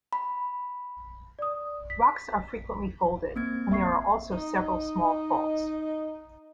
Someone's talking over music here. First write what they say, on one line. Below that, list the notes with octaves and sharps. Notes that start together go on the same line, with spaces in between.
Rocks are frequently folded, and there are also several small faults.
B5
D5 D#6
B6
A#3 C4 G#6
E5 C#6 C7
D#4 D#5